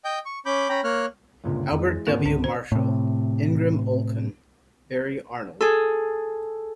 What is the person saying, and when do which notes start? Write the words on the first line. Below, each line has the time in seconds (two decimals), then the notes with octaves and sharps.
Albert W. Marshall, Ingram Olkin, Barry Arnold.
0.05 D#5 G5 G6
0.25 C#6
0.46 C#4 B5 D6 G6
0.69 C#4 G5 A#5 B5
0.84 A#3 C#5 F6 F#6
1.44 G1 C#2 A#2
1.72 F2 E3 G#3
2.07 G#1 D2 A#3 C4 F4 A#4
2.26 C#2 C#4
2.44 C5
2.72 A2 C3
5.61 G#4 A4